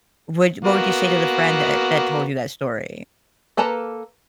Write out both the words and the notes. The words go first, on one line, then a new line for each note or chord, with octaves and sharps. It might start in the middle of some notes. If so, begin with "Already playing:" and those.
Would what would you say to the friend that that told you that story?
A#3 B3 F#4
A#3 A4 B4 A5 A#5